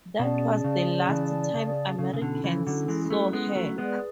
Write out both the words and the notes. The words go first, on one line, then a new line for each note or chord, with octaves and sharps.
That was the last time Americans saw her.
B2 C#4 G#4 D5 A5
C#3
C#3 E3
C#3
C#3 C#4 E4 A4
C#3
B2 D3
C#3 E3
D3 F#3
E3 G#3
G#3
F#3 A3
G#3 B3
F#3 A3
G#3 B3 G#4 B4 D5